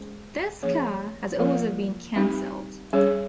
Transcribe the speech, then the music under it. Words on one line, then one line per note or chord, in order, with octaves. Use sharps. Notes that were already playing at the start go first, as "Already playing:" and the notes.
This car has also been cancelled.
Already playing: G#3 C#4 G#4 C5
F3 A#3 C#4 G#4 C#5
F3 A#3 F4 A#4
G3 C4 D#4 G4
G3 C#4 G#4 C#5